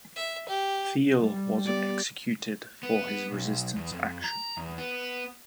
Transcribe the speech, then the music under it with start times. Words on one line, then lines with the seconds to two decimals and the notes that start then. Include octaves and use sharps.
Thiel was executed for his resistance action.
0.16 E5
0.49 G4
1.26 G3
1.65 B3 G4 D5
2.83 B3
3.31 B1
3.76 E2
3.92 F2
4.24 A#5
4.57 E2
4.78 B3